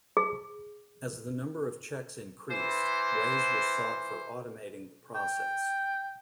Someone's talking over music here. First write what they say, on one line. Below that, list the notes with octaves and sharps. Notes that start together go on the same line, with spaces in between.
As the number of cheques increased, ways were sought for automating the process.
G#4
E3 C5
G5